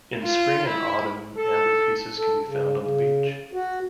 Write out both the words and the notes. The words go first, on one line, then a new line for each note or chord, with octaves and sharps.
In Spring and Autumn amber pieces can be found on the beach.
F4
E4
A4
A4
C#3
C#3
F#4